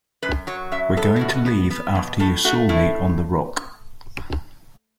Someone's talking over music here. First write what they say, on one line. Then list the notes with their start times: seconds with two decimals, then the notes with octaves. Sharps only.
You were going to leave after you saw me on the rock.
0.22 F#2 B4
0.47 F#3 C#5
0.72 F#2 E5
0.97 B3 A4
1.16 E4
1.21 B2 F#4
1.46 B3
1.70 B3
1.95 B2
2.20 A2 A4
2.45 A3 F#4
2.69 A2 E4